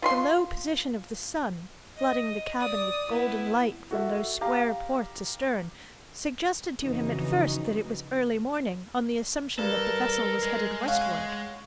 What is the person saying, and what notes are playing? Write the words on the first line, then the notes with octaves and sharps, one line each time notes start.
The low position of the sun, flooding the cabin with golden light from those square ports astern, suggested to him at first that it was early morning, on the assumption that the vessel was headed westward.
F4 B5 C6
D#5
D5 D#6
B3 E4
F#4 A4 E5
G4 F5 A#5
F2 C#3 E3 D#4 F#4
G2 A4 A#4
G#3
C#4 F5 F#5